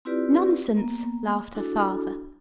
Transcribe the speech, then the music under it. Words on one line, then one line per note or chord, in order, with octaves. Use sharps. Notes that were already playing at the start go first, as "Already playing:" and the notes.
"Nonsense," laughed her father.
C4 E4 F4 G4 B4 D5
A#3 B3
D4 E4 F#4 A4